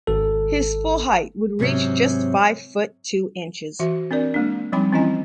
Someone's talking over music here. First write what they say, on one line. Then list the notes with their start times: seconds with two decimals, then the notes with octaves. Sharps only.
His full height would reach just five-foot, two inches.
0.07 G#1 A4
1.59 G#2 C3 F#3 A3 C4 C#4
3.80 E3 F#4 E5
4.11 C4 D4 A#4 D5
4.34 G#3 A#3 D4
4.72 F3 G3 C4 D#4 G5 B5
4.92 E3 C4 C#4 E4 D#5 G#5